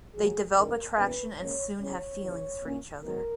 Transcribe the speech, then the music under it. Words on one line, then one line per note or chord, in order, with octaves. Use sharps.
They develop attraction and soon have feelings for each other.
D#2 D#3 F#3 G#4
G#2 E3 G#3 C#4 A#4
E2 B2 A#3 C#4 B4
G#2 D#3 A#3 C#4 C#5
E2 C#3 G#3 C#4 C#5
D#2 C#3 E3
A#2 A#3 C#4
G#2 D#3 F#3 B3 A#4